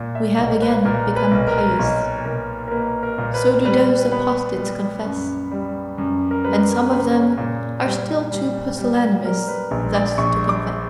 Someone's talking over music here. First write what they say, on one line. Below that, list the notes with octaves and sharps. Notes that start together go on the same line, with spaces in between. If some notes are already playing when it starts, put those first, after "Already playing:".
"We have again become pious"--so do those apostates confess; and some of them are still too pusillanimous thus to confess.
Already playing: A#2
E5
B1 E5
B4
A#2 A#4
B4
B1
A#4
B1
B1 A#4
A#4
A#3 B4
A#4
A#2
B4
G3 B4
B3 B4
G3
F#2
G3
F#2
A#4
G3 B4
A#4
C#3 B4
C#5
A#2
G3
G3
G3
G3 A#4
B4
A#1
D5
A#1 C#6
D6